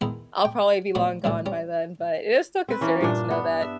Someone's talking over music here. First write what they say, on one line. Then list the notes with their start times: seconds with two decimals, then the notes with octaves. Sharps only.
I'll probably be long gone by then, but it is still concerning to know that
0.01 D#3 G#3 B3 D#4 E4
0.45 G5
0.95 A#2 F#3 A3 B3 F#4
1.24 C2 F#2 A2 D3
1.46 G3 C#4
2.69 C4 B4
2.81 E3 A#3 C#4
3.01 G2 A#2 D4
3.31 B3
3.62 E5